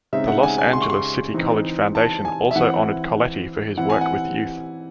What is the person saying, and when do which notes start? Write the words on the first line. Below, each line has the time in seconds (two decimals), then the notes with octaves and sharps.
The Los Angeles City College Foundation also honored Colletti for his work with youth.
0.13 C#3 G#3 C4 D#4 E5
0.28 F#5
0.43 G#5
0.58 G#5
0.73 C6
0.81 C#6
0.90 C6
1.34 E3 C4 D#4
1.95 A5
2.25 G#5
2.51 E5
2.56 E3 C4 E4 F#5
3.77 E3 C4 E4 F#5
3.90 G#5
4.01 F#5